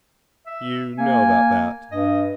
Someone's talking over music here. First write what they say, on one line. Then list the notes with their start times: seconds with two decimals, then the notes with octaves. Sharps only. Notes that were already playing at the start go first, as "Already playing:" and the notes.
"You know about that?"
0.47 E5
0.98 A#3 G#5
1.92 G2 D#5